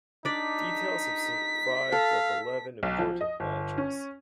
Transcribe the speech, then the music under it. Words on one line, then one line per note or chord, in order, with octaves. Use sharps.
Details have survived of eleven important matches.
D4 D#4 D5 B6
A4 F5
B1
F3
D#5
G1
C#4